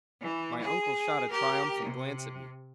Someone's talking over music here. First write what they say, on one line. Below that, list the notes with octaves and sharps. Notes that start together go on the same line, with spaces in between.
My uncle shot a triumphant glance at me.
E3
G#4
G4 A#4
C3